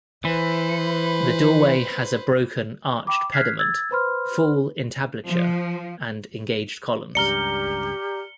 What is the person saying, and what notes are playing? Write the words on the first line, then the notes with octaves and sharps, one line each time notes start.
The doorway has a broken arched pediment, full entablature, and engaged columns.
E3 B4 C5
G5 B5 D6
F6 F#6 G#6 B6 C7
E6 G#6 A6
B4 C5 B5 C6 F6
F3
C#2 G2 G4 D5 A#5 F6 C#7 G7